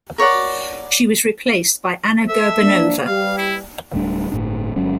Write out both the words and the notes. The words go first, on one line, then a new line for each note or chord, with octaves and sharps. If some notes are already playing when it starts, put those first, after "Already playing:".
She was replaced by Anna Gurbanova.
A#4 C#5 D5 F#5
A4 E5
A#3 D4
G3 F5
E4
D1 G3 A3 D4
G1 A2 D4
G1 F#3 G#3 C#4